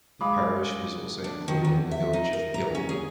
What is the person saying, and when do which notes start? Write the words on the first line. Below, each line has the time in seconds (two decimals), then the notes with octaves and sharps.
The parish also included the village of Pill.
0.21 G#3 F5 B5 D6 D#6
1.24 D4
1.48 D#3
1.65 E2
1.91 E5
2.13 D#4
2.33 A#4
2.54 A#5
2.75 C#4
2.89 G#4